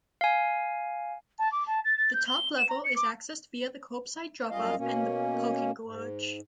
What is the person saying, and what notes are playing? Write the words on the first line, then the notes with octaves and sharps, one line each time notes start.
The top level is accessed via the curbside drop off and the parking garage.
F5 G#5
A5
D6
A5
A6
A6
G6
G7
E7
A#5
C#7
D6
F#2 G3 F4 G#4 D#5 F5
B2 A#3 C#4
G#2